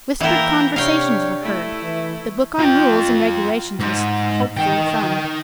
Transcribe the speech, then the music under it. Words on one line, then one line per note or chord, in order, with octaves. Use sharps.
Whispered conversations were heard. The book on rules and regulations was hopefully thumbed.
E3 A#3 E4 A#4 G5
C3 D4 C#5 F5 G5
A3 E4
E3
F4 G5
G#2
D#4 G5